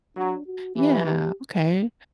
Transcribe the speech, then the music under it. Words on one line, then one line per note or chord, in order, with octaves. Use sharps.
Yeah, okay,
F#3 D4
F#4
E3 G4
G4